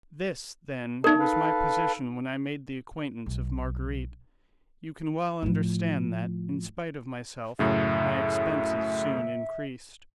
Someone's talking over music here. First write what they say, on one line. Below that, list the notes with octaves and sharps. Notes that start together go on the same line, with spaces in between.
This, then, was my position when I made the acquaintance of Marguerite. You can well understand that, in spite of myself, my expenses soon increased.
A3 D4 D#4 A#4
A4 B4 F5
B1
A2 F3
F#2 A2 C#3 E5